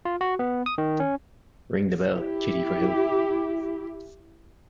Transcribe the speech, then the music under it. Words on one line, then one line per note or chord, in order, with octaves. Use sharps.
Ring the bell, Kitty, for Hill.
F4
F#4
B3
D#6
D#3
C#4
E4 G4